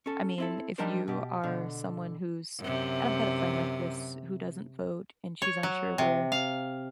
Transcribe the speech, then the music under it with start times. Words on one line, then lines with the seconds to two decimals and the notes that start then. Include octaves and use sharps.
I mean, if you are someone who's and I've got a friend like this who doesn't vote, and she's unsure where
0.06 C#4 A4
0.38 C4 E4 A4
0.78 F3 G3 D4 D#4 A#4 C5
1.08 B2 G4
1.44 B2 D3
2.60 F#2 C3
5.42 C#5
5.63 F#3
5.98 C3
6.32 F5